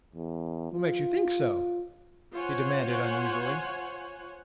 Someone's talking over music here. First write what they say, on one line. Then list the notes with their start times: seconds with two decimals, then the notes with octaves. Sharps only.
"What makes you think so?" he demanded uneasily.
0.15 E2
0.72 F4
2.33 F4 C5 C#5 F#5 G#5